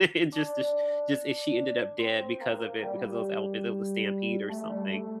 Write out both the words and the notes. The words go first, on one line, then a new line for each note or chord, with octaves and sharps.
and just just just and she ended up dead because of it, because of those elephants. It was a stampede or something.
D4
C4
A#3
G3
A3
A3
G3
A3